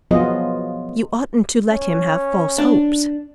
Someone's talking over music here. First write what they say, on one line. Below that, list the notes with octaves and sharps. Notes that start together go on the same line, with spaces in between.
"You oughtn't to let him have false hopes."
F3 F#3 B3 F4 G#4 D#5
C#4
D4